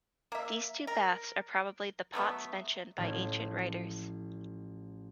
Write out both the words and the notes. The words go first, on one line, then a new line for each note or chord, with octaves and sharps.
These two baths are probably the Pots mentioned by ancient writers.
A#3 E5
A#4
F#3 A3 B3 E5
A1 F3 E4